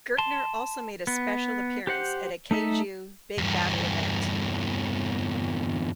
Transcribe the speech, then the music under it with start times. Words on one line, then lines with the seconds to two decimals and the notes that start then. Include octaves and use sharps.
Gertner also made a special appearance at a Kaiju Big Battel event.
0.18 A5 C6
1.07 B3
1.87 G4 C5 F#5
2.51 A3 D#4 A4 E5
3.38 E2 G2